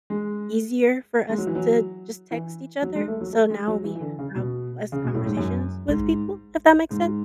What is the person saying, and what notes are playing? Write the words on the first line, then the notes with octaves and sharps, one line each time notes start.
easier for us to just text each other, so now we have less conversations with people, if that makes sense.
G#3
G#3
F#3
E3
F#3
E3
F#3
G#3
A3
F#3
A3
G#3
F#3
E3
E3
D3
C#3
B2
C#3
B2
A2
G#2
F#2
G#2
G#2